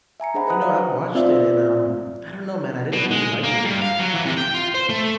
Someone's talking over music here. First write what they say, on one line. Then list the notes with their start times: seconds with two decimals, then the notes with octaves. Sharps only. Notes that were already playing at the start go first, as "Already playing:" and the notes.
You know, I watched it and, um, I don't know, man, I didn't really like it. Ah, just,
0.20 E5 G#5 A#5 C#7
0.34 D4 G#4 C5 D#5 F#5 B5
0.47 B4 D#5 A#5 B5 D#6 F#6
0.62 B4 C5 D5 E5 F5
1.15 C4 F4 D5 E5
2.93 B2
3.11 G#3
3.44 A#3
3.65 G2
3.82 F5
4.00 F#3
4.14 E3
4.26 C3
4.38 G5
4.54 F4
4.74 C5
4.90 A3